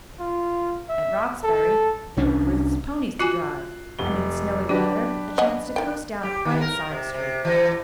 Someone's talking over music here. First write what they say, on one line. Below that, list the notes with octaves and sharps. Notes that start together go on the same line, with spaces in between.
At Roxbury, there were Ruth's ponies to drive, and in snowy weather a chance to coast down a quiet side street.
F4
E5
A4
C2 C#4 D4
F4 F#4 G#5 F#6 C7 F#7
F1 G7
F#3 D4 F#4 G4 B4
D#5 F#5 G#5
D#3 G5
G4
D#3
A#4
C3
C3
E3